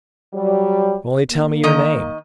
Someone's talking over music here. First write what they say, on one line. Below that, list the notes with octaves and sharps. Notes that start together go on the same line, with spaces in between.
"Only tell me your name."
F#3 G3
A#3
D#3 D#5 A#5